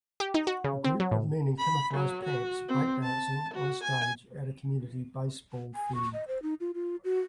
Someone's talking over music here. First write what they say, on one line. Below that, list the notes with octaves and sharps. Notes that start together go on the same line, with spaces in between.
A group of men in camouflage pants, breakdancing on a stage at a community baseball field.
G4
D#4
F#4
C#3
C4
F#3
A2
B5
F#3
F#4
C4
A5
F#4
G#5
G#5
C#6
D#5
C5
D#4
F4
F4
F#4